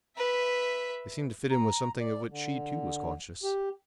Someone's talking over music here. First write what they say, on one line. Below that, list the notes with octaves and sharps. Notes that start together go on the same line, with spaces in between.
They seemed to fit in with something of which she too was conscious.
B4 E5
A#5
D5
D3
G4